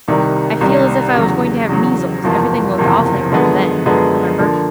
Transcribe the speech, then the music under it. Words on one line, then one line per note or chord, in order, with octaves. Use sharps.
I feel as if I was going to have measles; everything looked awfully rum then, remember.'
C2 C3 D#3 G3
C2 C3 D#3 G3
E2 C#3 F#3
E2 C#3 F#3
F#1 E2 C3 F3 A#3
F#1 E2 C3 F3 A#3
F#2 D3 F3 G#3 B3
F#2 D3 F3 G#3 B3
D3 F3 A#3